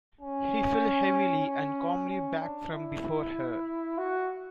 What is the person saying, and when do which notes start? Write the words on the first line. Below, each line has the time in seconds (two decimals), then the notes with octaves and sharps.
He fell heavily and calmly back from before her.
0.21 C#4
1.46 C#4
2.10 C#4
2.41 D4
2.72 E4
3.98 F#4